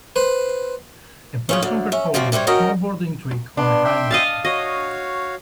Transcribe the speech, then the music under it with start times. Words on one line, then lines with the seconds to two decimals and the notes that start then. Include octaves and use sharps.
A person performing a snowboarding trick on a high mountain.
0.16 B4 C5
1.49 C#4 F4 G#4
1.63 D2 D3
1.92 C#4 E5
2.14 F#2 F3 G3 C4 F#4
2.32 C3 G3 E4 C5 C#5
2.47 C#4 F#4 A#4 D#5 G5
3.57 B3 D4 C6
3.84 E5 G5 C6
4.11 D#5 F5 A5
4.45 F#4 C#5 D#5 F5